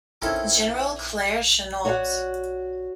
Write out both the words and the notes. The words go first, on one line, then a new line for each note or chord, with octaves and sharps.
General Claire Chennault.
C4 C#4 D#4 E4 A4 A#4
F#4 C#5 D5 E5 F#5